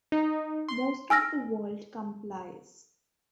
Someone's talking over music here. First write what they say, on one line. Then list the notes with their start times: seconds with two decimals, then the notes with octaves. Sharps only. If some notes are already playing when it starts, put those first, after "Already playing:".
Most of the world complies.
0.12 D#4
0.68 C6
1.10 G#5 E6 F6 A#6